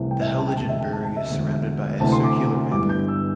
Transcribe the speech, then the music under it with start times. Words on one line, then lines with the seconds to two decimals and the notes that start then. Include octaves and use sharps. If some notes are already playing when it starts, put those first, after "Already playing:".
The Heiligenberg is surrounded by a circular rampart.
Already playing: C2 C3 E3 A3
0.11 G5
0.21 E5
0.29 G5
0.38 A5
0.48 G5
0.56 E1 D2 C3 A3 A5
0.69 E5
0.81 G5
0.92 A5
1.04 A5
1.16 E5
1.29 E1 D2 D3
2.00 D2 C3 E3 A3 A5
2.12 C6
2.24 D6
2.72 G1 G2 E3 G3 D6
2.89 G6
3.08 E6